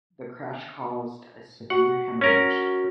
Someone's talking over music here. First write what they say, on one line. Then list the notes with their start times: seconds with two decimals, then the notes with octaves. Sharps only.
The crash caused a severe haemorrhage.
1.70 F#4 F#5
2.21 C#4 A#4 C#5